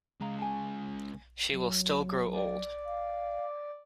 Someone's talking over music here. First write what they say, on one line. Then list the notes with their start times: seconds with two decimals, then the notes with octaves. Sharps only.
She will still grow old.
0.21 C#3 G#3 F5 A#5
0.38 G#5 A5
1.51 F#3
2.33 D5
2.86 F5